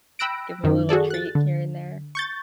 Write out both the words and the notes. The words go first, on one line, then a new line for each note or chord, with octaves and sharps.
Give him a little treat here and there.
G5 B5 E6 F#6 A#6 D7
F#2 D#3
F#4 G#4 A4 D5
F#6 A6
D3
C#6 G6 A6